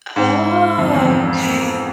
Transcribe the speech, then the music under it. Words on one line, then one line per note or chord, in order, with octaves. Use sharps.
Oh, okay.
G#2
F2
E2
F2